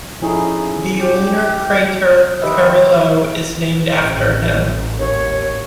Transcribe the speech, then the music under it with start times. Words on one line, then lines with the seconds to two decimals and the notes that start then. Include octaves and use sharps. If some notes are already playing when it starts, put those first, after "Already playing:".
The lunar crater Carrillo is named after him.
0.22 F3 C#4 D#4 E4 G#4 A4
0.98 G4
2.42 D#3 G4 B4 C5 D#5 E5
3.99 A1 C3
4.99 D#2 C#5